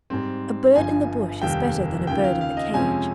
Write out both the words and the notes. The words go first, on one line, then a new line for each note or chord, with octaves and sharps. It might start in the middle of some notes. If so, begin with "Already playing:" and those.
A bird in the bush is better than a bird in the cage.
G#2 G3 C4
G1 G2 F3 G#5
F1 D#2 D#3 G3 G5
D#2 C#3 F3 G5
F5
F5
D#5
F2 C3 F3 G#3 C#4 G#5